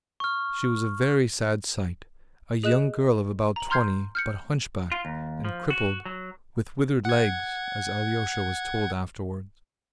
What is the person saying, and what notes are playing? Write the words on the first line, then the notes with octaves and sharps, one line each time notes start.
She was a very sad sight, a young girl of about twenty, but hunchback and crippled "with withered legs," as Alyosha was told afterwards.
C#6 F6
G#4 D#5 F#6 E7
A#5 F#7
A#5 C6 F6 G6 G#6 C7
F6 G6 C#7
F4
D#2
F3
F#4
F#3
F#5 G#6